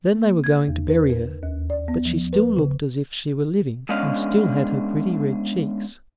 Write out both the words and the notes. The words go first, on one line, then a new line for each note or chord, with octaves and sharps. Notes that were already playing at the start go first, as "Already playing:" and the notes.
Then they were going to bury her, but she still looked as if she were living, and still had her pretty red cheeks.
A#3
G#6
E2
B4
A#4
D#2
D5
B3
F3
B4
C#3
G#3 B3 C#4 D4 D#5 F5